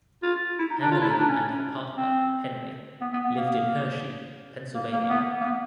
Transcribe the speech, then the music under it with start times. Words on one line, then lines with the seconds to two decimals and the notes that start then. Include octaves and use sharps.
Emily and her partner, Henry, lived in Hershey, Pennsylvania.
0.23 F4
0.59 E4
0.70 D#4
0.81 D4
0.91 F4
1.01 E4
1.10 D#4
1.18 D4
1.28 C#4
1.97 C4
3.01 B3
3.13 B3
3.24 B3
3.36 A#3
4.75 A#3
4.92 A#3
5.03 A#3
5.09 B3
5.41 A#3
5.45 B3